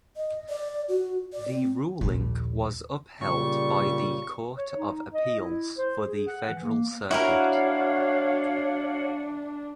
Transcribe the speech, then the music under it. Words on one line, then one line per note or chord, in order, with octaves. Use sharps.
The ruling was upheld by the Court of Appeals for the Federal Circuit.
D#5
D5
F#4
D5
C4
A#1 D#2
A#2 C#3 G3 C#6
C#5
D#4
D#5
E4
C5
G#4
F#5
E3
A#3
D4 E4 F#4 G4 A#4 C#5 F5